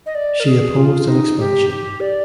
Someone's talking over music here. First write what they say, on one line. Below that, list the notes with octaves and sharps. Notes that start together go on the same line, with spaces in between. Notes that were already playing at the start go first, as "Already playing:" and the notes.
She opposed an expansion.
D#5
D5
A#4
G#4
F4
D#4
G4
G4
D5